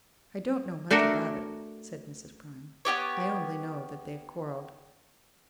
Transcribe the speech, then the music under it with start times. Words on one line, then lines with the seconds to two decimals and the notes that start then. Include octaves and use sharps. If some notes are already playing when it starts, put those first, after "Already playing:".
"I don't know much about it," said Mrs. Prime; "I only know that they've quarrelled."
0.91 A3 D4 F#4 A4 A#4
2.85 B3 F4 G4 C#5